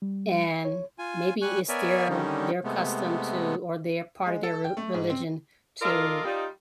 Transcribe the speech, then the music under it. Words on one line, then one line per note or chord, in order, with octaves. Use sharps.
and maybe it's their their custom to, or their part of their re religion to,
G3
C#5
F4 G#5
G3 G#5 C#6 F#6
B3 A#4 C#5 D5 E5 G#5
D3 D#3 G3 C#4 D#4
C3 G#3 A3 B3
G#3
A4
G5
A3
G#2
C4
F4 A4 A#4 D5 D#5 F5
G3 D#4 F4